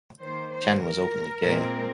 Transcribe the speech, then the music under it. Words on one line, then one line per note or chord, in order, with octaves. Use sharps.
Chen was openly gay.
D#3 A#3 C5
C5
A#4
A#2 G#3 C4